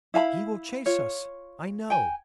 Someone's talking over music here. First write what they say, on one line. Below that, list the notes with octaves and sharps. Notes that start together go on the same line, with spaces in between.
He will chase us, I know.
E4 F5 A5 B5
F4 C#5
G5 G#5